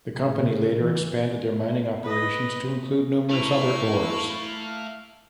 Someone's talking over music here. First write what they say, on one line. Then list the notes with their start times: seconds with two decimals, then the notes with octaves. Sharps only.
The company later expanded their mining operations to include numerous other ores.
0.12 A2 C#3
0.80 E3
2.03 B4 D#5
3.30 A3 E4 F5 A#5 C#6